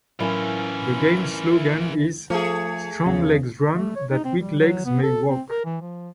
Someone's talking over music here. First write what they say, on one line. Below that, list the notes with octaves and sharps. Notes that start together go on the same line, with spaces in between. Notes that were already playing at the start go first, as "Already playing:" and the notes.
The game's slogan is "Strong Legs Run That Weak Legs May Walk".
A2 E3 F#3 C#4 E4 F4 A#4 G#5
F3 A3 G#4
E2 C#3
A3
C#5
D#4
C4
G3
F#3
B3
A4
C4
A#4
E3
F3